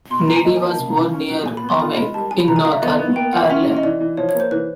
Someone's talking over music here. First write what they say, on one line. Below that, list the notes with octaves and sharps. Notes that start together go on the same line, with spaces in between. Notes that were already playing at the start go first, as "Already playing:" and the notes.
Kennedy was born near Omagh, in Northern Ireland.
B2 C6
B5
F#3 A#5
G#5
A#3 D#5
G#5
A#3
A5
C#3
C#3
C#4
F#3
A#2 G#5
B5
B3
C6
F4 B5
G#3 B5
G3 A5
G3 G#5
B5
D3 A#5
G#5
F#3 F5
E5
B3 D#5
B3
A#3 G5
F4 F#5
C#4 E5
E3
D#5
E3 D5
E3
F3 C#5
C#5
A#3
C5
E3 B4